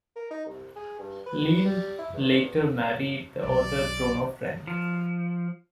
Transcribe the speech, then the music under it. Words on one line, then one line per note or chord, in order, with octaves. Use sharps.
Liesl later married the author Bruno Frank.
A#4
D#4
C2
G#4
G2
B4
G3
E4
E2
B1 D5
F3